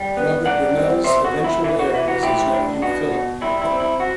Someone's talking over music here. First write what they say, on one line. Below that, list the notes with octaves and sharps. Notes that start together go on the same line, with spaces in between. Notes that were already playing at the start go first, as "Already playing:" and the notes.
Robert Burnell's eventual heir was his nephew, Philip.
Already playing: G3
B3
G3 D5 F#5
C4
B2 C5 E5
F#4
B2
E4
E3 E4
F#4
E3 E4
F#4
A2 E4 G4
D4
B2 F#4
B2
G3 E4
E4
C4
E4
F#4